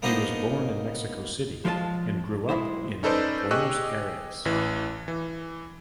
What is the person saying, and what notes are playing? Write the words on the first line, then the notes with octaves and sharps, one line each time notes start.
He was born in Mexico City and grew up in Buenos Aires.
A#3 B3 D4 D#4 C5 D#5
F3 G#3 F4 B4 A5
B1 G#3 E4 C5
C#4 D#4 A4 B4 C5 D5
G4 G#4 D#5 C#6 E6 F#6
A1 E3
E3